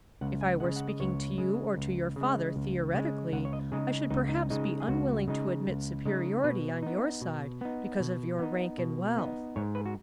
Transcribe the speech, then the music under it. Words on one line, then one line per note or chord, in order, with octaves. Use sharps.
If I were speaking to you or to your father theoretically I should perhaps be unwilling to admit superiority on your side because of your rank and wealth.
C#2 F#5
G#5
C#3 G#3 F#5
F#5
D#5
C#2 C#5
C#3 G#3
C#2
C#3 G#3
C#2
C#3 G#3
C#2 F#5
C#5
D#5
C#3 G#3 D#4 G#4
C#2 D#4
D#4
C#3 G#3 D#4
G#4
C#2 F#4
C#3 G#3 D#4
C#2
C#3 G#3 D#4
B2 B4
B3 D#4
B2
B3 D#4
B2
B3 D#4
B2
B3 D#4
G#2 C#5
B4
F#4